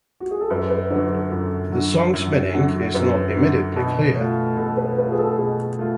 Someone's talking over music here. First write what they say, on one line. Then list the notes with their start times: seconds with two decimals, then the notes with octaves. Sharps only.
The song's meaning is not immediately clear.
0.20 F#4
0.31 G#4
0.41 A4
0.50 F#2 B4
0.70 B4
0.90 D3 F#3 B4
1.11 A4
1.32 F#2
1.72 D3 F#3
2.13 F#2
2.54 D3 F#3
2.94 F#2 B4
3.35 D3 F#3
3.76 B2
4.16 A3 F4
4.57 B2 A4
4.77 B4
4.98 A3 F4 B4
5.12 G#4
5.19 A4
5.30 A4
5.39 B2 G#4
5.79 A3 F4